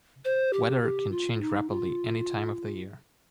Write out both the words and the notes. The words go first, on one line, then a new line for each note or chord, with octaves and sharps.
Weather can change rapidly any time of the year.
C5
G4
G4
F4
D#4
F4